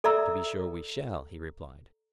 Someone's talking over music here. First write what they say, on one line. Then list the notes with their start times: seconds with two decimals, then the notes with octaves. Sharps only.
To be sure we shall, he replied.
0.04 A4 D5 E5 A#5 E6